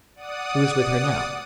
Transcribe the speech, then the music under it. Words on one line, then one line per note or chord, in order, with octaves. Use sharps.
"Who is with her now?"
D5 F#5 D#6